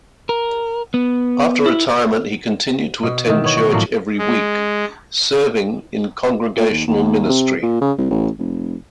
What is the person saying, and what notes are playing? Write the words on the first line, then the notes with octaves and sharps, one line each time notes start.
After retirement, he continued to attend church every week, serving in congregational ministry.
A#4
B3
E4
B2
D#3 E3
B3 C#5
F#4
A2 F3 F#3 A#3
G#3
A#2
D#2
D#2
C3
A#2
C#3
C2
A1
F1